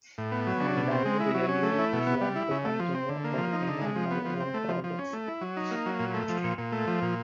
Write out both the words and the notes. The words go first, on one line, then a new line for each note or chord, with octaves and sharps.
And I really want to continue working on my own projects.
A2
B3
F#3
D4
B2
C4
G#3
E4
F#3
C#4
A3
E4
B2
B3
G3
E4
C#3
A3
F3
C4
D3
A#3
F3
D#4
D3
G#3
F3
B3
F3
C4
A3
F3
F3
C#4
A3
E4
F#3
D#4
A#3
F#3
A#2
A3
F3
A#2
A#2
A3
F3
A#2